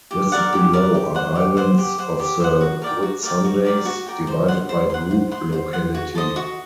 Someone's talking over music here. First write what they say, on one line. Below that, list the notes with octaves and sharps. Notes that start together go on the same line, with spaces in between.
Listed below are islands of The Whitsundays, divided by group locality.
G4
A#4 D5 F#5
G4
A#4 D5 F#5
G4
C5 F#5
G4
C5 F#5
G4
C5 F#5
G4
C5 F#5
F#4
A#4 D5 G5
F#4
A#4 D5 G5
F#4
A#4 D5 G5
F#4
A#4 D5 G5
C5
F#5 C6
C5
F#5 C6
C5
F#5 C6
C5
F#5 C6
F#4
A4 C5 D#5
F#4